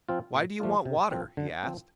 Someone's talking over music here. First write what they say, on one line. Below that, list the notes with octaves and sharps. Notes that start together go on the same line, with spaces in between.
"Why do you want water?" he asked.
F3 C4 F4
A#2
F3 A3 D4 F4
C3
F3 C4
D3
F3 C4